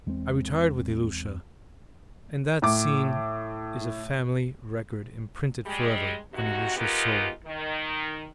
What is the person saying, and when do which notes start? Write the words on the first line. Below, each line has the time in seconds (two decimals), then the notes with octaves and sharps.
I retired with Ilusha, and that scene is a family record imprinted for ever on Ilusha's soul.
0.06 E2 G#3 A#3 C4
2.62 A2 D6
5.66 G3 G#3
6.33 G2 C3 D#4 F#4
6.77 G#3 B3 D#4 F4 G4 A#4
7.45 D#3